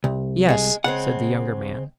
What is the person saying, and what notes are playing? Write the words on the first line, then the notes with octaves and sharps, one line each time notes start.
"Yes," said the younger man.
C2
G#3 G#4
C#3 G#3 C4 F#5